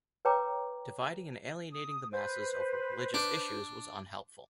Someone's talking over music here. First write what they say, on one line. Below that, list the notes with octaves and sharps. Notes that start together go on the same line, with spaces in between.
Dividing and alienating the masses over religious issues was unhelpful.
B4 C#5 G5 A#5 D6
D#6
B4 C5
D4